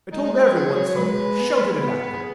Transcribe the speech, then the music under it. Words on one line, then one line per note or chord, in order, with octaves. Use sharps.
I told every one so, shouted it at them.
G#3 D#4
D#4
D#4
C#4
F#3 G#4
C#5
C#5
G#3 B4
B3
B3 B4
B4
B4
G#4